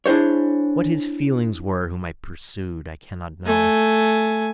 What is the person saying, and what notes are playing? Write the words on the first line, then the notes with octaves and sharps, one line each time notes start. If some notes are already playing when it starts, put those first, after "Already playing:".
What his feelings were whom I pursued I cannot know.
D4 E4 G#4 C5 C#5
A3 G#5